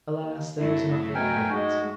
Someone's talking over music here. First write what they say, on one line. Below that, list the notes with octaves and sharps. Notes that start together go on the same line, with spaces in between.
Alas, there is nothing perfect!
D#2
G2 F#3 A3 E4
B2 A#4 G5 G#5
G#3 D#4 F#4